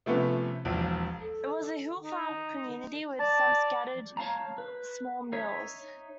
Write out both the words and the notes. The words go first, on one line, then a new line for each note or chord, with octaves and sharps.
It was a "hill farm" community with some scattered small mills.
C3 F3 A3 B3 C#4
E1 A#1
A4
D#4
D5 A5
C#5 F5 A5 A#5
B4
D#4 C#5 E5